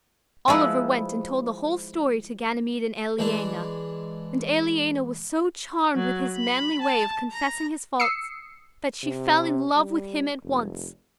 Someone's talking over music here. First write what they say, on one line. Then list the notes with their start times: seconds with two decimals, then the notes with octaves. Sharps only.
Oliver went and told the whole story to Ganymede and Aliena, and Aliena was so charmed with his manly way of confessing his faults, that she fell in love with him at once.
0.48 F3 G#3 E4 B4
3.19 E3 G#3 D4
5.96 F#3
6.36 B5
6.81 A5
7.32 A#5
8.00 D#6 E6 C7 C#7
9.04 C3
9.76 G3
10.43 F1